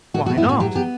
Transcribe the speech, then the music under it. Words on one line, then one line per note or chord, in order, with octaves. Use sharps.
"Why not?"
A2 F#4
F#4
B3
E4
A2 F#4
F#3 G4
B3 G4